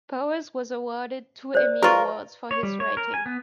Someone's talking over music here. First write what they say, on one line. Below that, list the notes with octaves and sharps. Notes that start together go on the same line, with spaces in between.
Powers was awarded two Emmy Awards for his writing.
C5 D5
F4 G4 A#4 B4 C#6
C#5
G3
C#5
A#4
G#5
B3